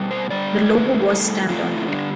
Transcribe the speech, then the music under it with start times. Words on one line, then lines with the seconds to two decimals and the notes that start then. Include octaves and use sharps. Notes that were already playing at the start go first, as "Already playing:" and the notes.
The logo was stamped on it.
Already playing: B2 G3
0.11 C5
0.30 D3 G3 D5
0.70 D3 A3 B4
1.09 A2 G3 A4
1.48 C3 F3 A3 F4
1.76 E4
1.88 D3 G3 D4